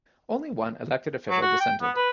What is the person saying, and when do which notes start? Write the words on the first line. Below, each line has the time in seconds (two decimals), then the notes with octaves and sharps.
Only one elected official dissented.
1.30 F#3
1.42 F#4
1.60 G5
1.82 B3
1.96 B4